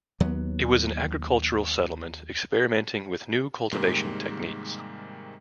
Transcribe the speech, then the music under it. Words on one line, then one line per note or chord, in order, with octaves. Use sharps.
It was an agricultural settlement experimenting with new cultivation techniques.
D#2 F#3 B3
G#2 C3 D#3 G3 G#3 A#3